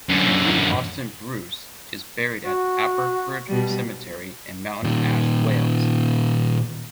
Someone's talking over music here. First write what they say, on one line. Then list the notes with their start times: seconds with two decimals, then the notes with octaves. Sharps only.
Henry Austin Bruce is buried at Aberffrwd Cemetery in Mountain Ash, Wales.
0.09 F#2 D3
2.44 F#4
3.47 B2 G3
4.83 A#2 D#3